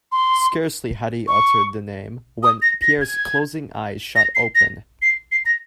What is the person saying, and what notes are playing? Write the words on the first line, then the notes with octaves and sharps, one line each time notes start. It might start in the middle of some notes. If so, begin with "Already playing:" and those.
Scarcely had he uttered the name when Pierre's closing eyes shot open.
C6
C#6
D#6
A#6
A#6
G#6
A#6
C7
A#6
C7
C7
A#6